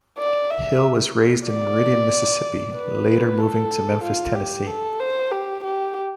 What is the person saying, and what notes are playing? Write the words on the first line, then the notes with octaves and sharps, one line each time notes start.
Hill was raised in Meridian, Mississippi, later moving to Memphis, Tennessee.
D5
E5
D5
B4
A4
F4
G4
A4
C5
G4
G4